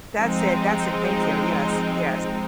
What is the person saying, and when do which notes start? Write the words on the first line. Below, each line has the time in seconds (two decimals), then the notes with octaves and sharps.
That's it. That's it, thank you. Yes, yes.
0.18 F3 G#3 C4 D#4